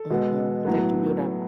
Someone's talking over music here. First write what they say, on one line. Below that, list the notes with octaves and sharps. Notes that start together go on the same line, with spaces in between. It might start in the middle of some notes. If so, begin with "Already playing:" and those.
Mhm, that you do not
Already playing: A4
B2 G#3 B3
A2 F#3 B3